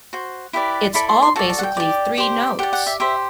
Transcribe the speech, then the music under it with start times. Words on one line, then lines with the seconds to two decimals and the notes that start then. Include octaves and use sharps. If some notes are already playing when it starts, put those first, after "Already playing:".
It's all basically three notes!
0.13 F#4 C5
0.53 E4 G4 B4 D5
0.94 E4 A4 D5 B5
1.09 C6
1.22 C6
1.36 F#4 A4 D5 A5
1.50 A5
1.59 F#5
1.63 G5
1.77 G4 D5
2.18 G4 C5
2.59 G4 D5 F#5
2.73 F#5
2.87 E5
3.00 G4 C5 E5